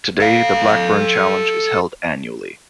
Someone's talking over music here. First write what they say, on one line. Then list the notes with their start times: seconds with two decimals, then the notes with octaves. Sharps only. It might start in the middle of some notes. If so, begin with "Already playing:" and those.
Today, the Blackburn Challenge is held annually.
0.20 A4 F5